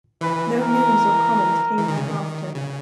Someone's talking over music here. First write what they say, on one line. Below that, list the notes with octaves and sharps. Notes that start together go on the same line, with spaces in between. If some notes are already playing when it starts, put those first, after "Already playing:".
No news or comment came back after.
E3 B4
A#4
E3
D#3
C#3
D#3
C#3